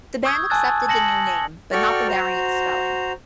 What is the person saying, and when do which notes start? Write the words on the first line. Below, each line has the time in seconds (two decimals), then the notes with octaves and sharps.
The band accepted the new name, but not the variant spelling.
0.25 C#6 D#6 E6 G6 G#6
0.50 G#5 A5 E6 F#6 G#6 A6
0.89 A5 A#6 C#7 F#7
1.72 F#4 A4 D5 G5 C#6 F6
2.08 F#4 C5 A#5